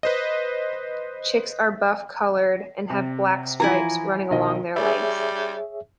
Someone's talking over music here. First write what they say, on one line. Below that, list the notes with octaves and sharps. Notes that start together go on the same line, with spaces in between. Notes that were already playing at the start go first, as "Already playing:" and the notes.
Chicks are buff coloured and have black stripes running along their length.
B4 C5 D#5
C3
E3 F3 E4 G#5 A#5
B1 D#3 D#5
G3 G#4 C#5 E5